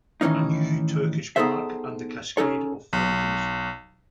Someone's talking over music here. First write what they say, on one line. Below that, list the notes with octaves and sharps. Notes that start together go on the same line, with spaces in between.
A new Turkish Park and the cascade of fountains.
A2 D#3 E3 C#4 D#4
B3 D#4 G#4 A4 C5 E5
C#4 D#4 A4 C#5
B1